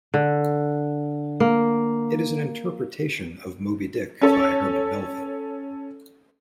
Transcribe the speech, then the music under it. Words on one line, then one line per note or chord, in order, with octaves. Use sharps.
It is an interpretation of "Moby-Dick" by Herman Melville.
D3
A#3
C#4 A4 C#5